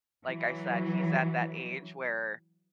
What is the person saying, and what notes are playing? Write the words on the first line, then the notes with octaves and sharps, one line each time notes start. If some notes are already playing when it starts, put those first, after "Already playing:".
like I said, he's at that age where
E3 F#3